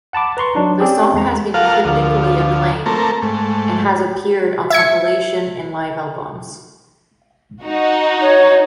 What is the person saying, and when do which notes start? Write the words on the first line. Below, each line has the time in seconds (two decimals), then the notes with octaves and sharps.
The song has seen critical acclaim and has appeared on compilation and live albums.
0.13 F#5 A5 B5 D6
0.37 B4 A#5 C6 C#6
0.55 F#3 D4 D#4
0.80 C4 C#4 G4 G#4 D5
1.14 E2 G#3 A#5
1.54 F4 A4 A#4 F5 F#5
1.85 D2 F3
2.86 A3 A#3 C4 A4 A#4
3.22 G#2 A3
4.70 E5 G#6 C#7
7.62 D#4 F#4
8.21 C#5